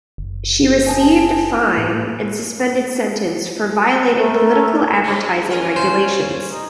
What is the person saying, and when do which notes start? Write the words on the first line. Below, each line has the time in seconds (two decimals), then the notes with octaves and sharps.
She received a fine and suspended sentence for violating political advertising regulations.
0.18 F#1
0.86 G#4 A5
1.78 A2
4.15 A3 A#4
5.04 G2 C#3
5.51 C#4 F4 A#4
5.76 C5
6.52 D#4